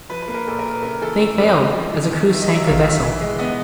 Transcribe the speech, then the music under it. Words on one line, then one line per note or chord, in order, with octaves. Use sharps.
They failed, as the crew sank the vessel.
F3 B4
B4
A#3
A#4
A#2 A4
A#4
A#2
B4
C#3 A#4
E3 A4
A3 A4
F2 B4
C3 D#5
F3
E2
E2
D#3 E5
D#5
F#3
E5
A3 F5
G2 E5
E3
G#3
B3 D#5